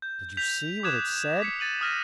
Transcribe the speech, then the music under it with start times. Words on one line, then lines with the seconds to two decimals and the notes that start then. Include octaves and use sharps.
Did you see what it said?
0.02 G6
0.37 G6 B6 F7
0.83 D6 D#6 F#6 G#6 E7
1.40 D6 B6 C#7
1.60 G#6 A6 D#7 F#7
1.81 D#6 F6 A#6 D#7